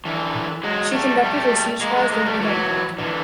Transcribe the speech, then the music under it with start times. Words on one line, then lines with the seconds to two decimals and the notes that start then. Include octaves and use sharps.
She conducted her sea trials later that year.
0.05 D3 E3
0.64 F#3 G#3
0.93 G3 A3
1.23 G3 A3
1.81 G#3 A#3
1.96 G#3 A#3
2.11 G#3 A#3
2.26 G3 A3
2.40 E3 F#3
2.98 D3 E3